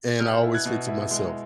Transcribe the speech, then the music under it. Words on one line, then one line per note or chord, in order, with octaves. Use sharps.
and I always fix it myself.
B2 F6 G6
E4
F#6 G#6
B2
E4
G#3